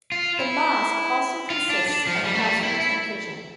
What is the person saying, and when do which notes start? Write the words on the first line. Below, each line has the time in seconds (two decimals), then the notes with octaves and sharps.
The mosque also consists of classrooms and kitchen.
0.12 F4
0.39 E4
1.50 F4
1.70 D4
1.88 D4
2.07 F3
2.24 G3
2.35 A3
2.43 G3
2.63 E4
2.80 E4